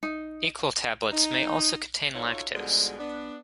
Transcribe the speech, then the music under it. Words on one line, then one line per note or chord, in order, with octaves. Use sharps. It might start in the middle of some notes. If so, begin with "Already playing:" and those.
Equal tablets may also contain lactose.
D#4
D#4
D#4 F4 F#4 A4 C#5
G#2 B2 D3 F3 G3 G#3
B3 D4